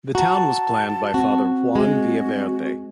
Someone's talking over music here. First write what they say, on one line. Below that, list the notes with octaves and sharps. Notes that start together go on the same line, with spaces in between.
The town was planned by Father Juan Villaverde.
F#4 A5 A#5
C4 F#4
G#3 F#4